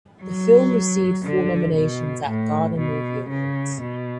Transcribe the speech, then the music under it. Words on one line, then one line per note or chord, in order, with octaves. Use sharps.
The film received four nominations at Ghana Movie Awards.
F#3
D3
B2
A2
B2
C#3
B2